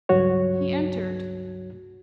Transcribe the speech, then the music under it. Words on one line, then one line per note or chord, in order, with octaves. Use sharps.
He entered.
C#2 G2 F#3 F#4 C#5